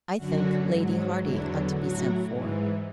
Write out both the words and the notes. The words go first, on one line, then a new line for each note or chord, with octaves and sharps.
"I think Lady Hardy ought to be sent for."
F#2 D3 F#3 F#4
G#2 F#3
E2 D3 F#3 E4
A2 F#3 F#4
G#2 E3